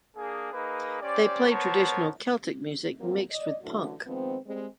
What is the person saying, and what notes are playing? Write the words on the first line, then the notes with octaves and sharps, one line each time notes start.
They played traditional Celtic music mixed with punk.
A#3 D4 G#4
A#3 D#4 G#4 B4
C#4 G4 C5 D5
B3 A#4 C5 C#5 A5
F#2 F#3 G3 A#3 C4
D5 D#5
F#2 D3 E3 A3 E4 F#4
D#3 F3 G#3 B3 C4
G3 G#3 C4